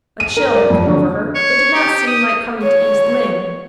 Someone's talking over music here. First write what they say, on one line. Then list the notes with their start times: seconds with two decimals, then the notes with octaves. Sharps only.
A chill had come over her; it did not seem like coming to East Lynne.
0.20 D#7
0.37 A#4
0.56 D5
0.70 F2
0.86 D3
1.35 C#5
1.74 G4
2.07 D#6
2.63 C#5